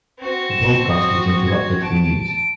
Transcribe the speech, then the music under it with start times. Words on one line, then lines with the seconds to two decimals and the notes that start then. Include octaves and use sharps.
The broadcast was interrupted for news.
0.19 C4 F#4
0.50 E7
0.89 D#6
1.48 G#6
1.83 A5 D7
2.19 D7